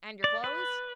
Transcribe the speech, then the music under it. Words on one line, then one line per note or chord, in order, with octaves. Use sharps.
"And your clothes?"
D5
B4